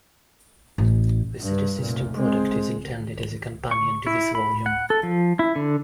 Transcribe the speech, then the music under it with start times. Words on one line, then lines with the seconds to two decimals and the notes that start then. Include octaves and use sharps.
The "City System" product is intended as a companion to this volume.
0.78 A1
1.43 G2
1.80 F1 A#2
2.18 G#3 C4
3.71 C#6
4.07 E4
4.35 B5
4.66 F#5
4.90 A4
5.03 F3
5.39 E4
5.56 D3